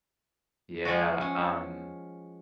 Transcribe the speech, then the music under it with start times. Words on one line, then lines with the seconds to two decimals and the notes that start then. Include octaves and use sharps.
Yeah, um
0.85 F3 G#3 F4 F#4
1.21 C#4